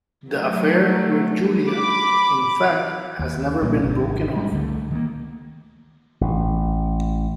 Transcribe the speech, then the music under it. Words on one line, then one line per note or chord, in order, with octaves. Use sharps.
The affair with Julia, in fact, has never been broken off.
F#3 A3
B5 D6
D#2
B1 A#2 G3 A#3
G#1 C3
G3 G#3
C#2 D3 G3 A3
D#3 A#3
A1